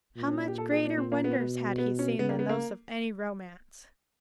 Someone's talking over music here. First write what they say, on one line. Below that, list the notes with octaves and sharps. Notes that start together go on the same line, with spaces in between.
How much greater wonders had he seen than those of any romance!
A#2
C#4
D4
G4
A4
G#4
D4
C4
A#3
B3
B2
B3
C#4
C#3 B3
A#3
B3
A#3